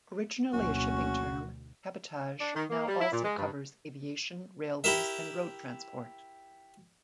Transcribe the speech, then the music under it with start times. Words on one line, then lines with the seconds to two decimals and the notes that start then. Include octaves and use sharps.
Originally a shipping term, cabotage now also covers aviation, railways, and road transport.
0.53 F#1 D2 B2 C#4 F#4
2.41 D4
2.55 D#3
2.70 A#3
2.87 G3
3.00 E4
3.12 A#2
3.24 G#3
3.38 G2
4.84 E4 G4 A#4 E5